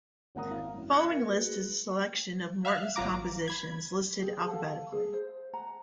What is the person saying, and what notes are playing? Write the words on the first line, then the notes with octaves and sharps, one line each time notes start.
The folllowing list is a selection of Morton's compositions, listed alphabetically.
G#1 A#3 F#5 A#5 D#6
E4 F5
F#2
F#6 G#6 A#6 C#7
A#4
F#4 G#4 B4
E5 F5 F6 F#6
G#1 F#3 F4 A#5 D6
B5 G#6
G4 G#4
A4 F5 F#5 A5
G#4
C5
F#5 A#5